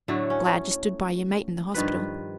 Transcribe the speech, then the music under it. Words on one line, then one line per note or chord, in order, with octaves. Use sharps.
Glad you stood by your mate in the hospital.
A2 D3 F#3 A3
C#4
G2 D#3 F3 B4